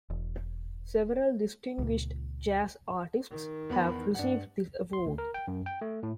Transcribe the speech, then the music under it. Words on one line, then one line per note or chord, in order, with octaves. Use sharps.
Several distinguished jazz artists have received this award.
E1
C#2 A#2
D#3
E2 B3 B5
G2 D4 F#5
C6
D2
A#4
G5
F#2
G5
A3
A2